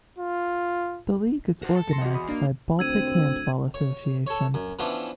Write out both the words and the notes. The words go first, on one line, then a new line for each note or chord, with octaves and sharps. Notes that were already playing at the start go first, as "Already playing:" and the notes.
The league is organized by Baltic Handball Association.
F4
F#4 C5
A4
C6 A#6 C#7
E2 F#4 D#5
B5 D#6
A#3 D4
D2 C4 E6 G#6 D#7
C#5
A4 C#5
F#2
E3 F3 B3 C#4 D4